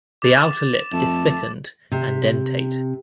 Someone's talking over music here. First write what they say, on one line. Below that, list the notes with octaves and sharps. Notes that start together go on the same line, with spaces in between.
The outer lip is thickened and dentate.
D6 A6 E7
F2 A3 A5
C3